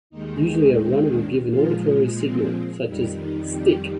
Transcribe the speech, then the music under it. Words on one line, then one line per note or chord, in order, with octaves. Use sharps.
Usually a runner will give an auditory signal, such as Stick!
D#2 D#3 G#3 D#4
A#3
C4
D4
A#2 F3 G#3 F4
C4
F2 D#3 G3
D#4
G4